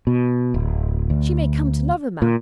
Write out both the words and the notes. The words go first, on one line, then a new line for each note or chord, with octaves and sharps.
She may come to love a man.
B2
D1
D2
A#2